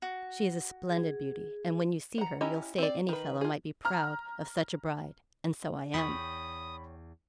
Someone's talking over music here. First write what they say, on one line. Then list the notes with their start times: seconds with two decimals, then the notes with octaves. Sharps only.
She is a splendid beauty, and when you see her you'll say any fellow might be proud of such a bride; and so I am.
0.02 F#4
0.89 G#4
2.18 F#5 A#5
2.41 C#4 E4 G4 D#5 A#5
2.78 C4 D5
3.09 D#3 B4
3.41 F4 G#4
3.85 A#5 F6
5.94 E2 C#5 G5 B5 D#6